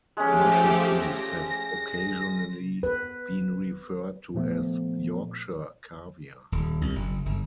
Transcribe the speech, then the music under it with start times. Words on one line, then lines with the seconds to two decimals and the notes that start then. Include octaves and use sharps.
Mushy peas have occasionally been referred to as "Yorkshire caviar".
0.17 F3 G#3 A3 C#4 G4
0.83 A#6
2.83 B4
4.35 A#2 F3 A3 B3
6.52 D#1
6.81 C2
6.96 F#1
7.26 G1